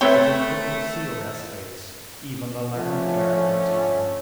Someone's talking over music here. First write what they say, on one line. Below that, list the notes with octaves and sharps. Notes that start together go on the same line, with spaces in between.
If he could but see Orestes, even alarm the guard in time!....
A3 C4 B4 C#5 E5 G5
D3 F3 A3 C#4